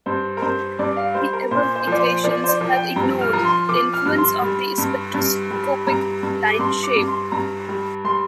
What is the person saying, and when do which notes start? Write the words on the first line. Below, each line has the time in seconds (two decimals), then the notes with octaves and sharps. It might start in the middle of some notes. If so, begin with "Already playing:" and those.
The above equations have ignored the influence of the spectroscopic line shape.
0.06 G2 C5
0.37 A#4
0.42 G2 C5
0.79 G2 D5
0.97 F5
1.15 G3 C5
1.33 A#4
1.51 A#2 C5
1.76 C5
1.87 F3 D5
1.99 C5
2.24 F3 D5
2.44 C5
2.48 D5
2.61 F3
2.73 G5
2.96 G2 A#5
3.21 F6
3.33 F3 A#5
3.45 C6
3.69 F3 D6
3.93 F6
4.06 G2
4.18 C6
4.42 G3
4.78 G2
5.14 G2
5.51 G3
5.87 G2 A#5
6.23 G2
6.51 D6
6.59 G2 C6
6.84 D6
6.96 G2
7.08 C6
7.32 G2 A#5
7.68 G3
8.05 G3 C6